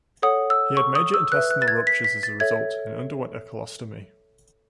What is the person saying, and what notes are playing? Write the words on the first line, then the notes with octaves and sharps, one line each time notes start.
He had major intestinal ruptures as a result, and underwent a colostomy.
A4 C#5 F#5 D#6
E6
C#6
D#6
E6
B4 E5 F#6
F#6
A6
G#6
B6
B6
A6
A4 C#5 E5 G#6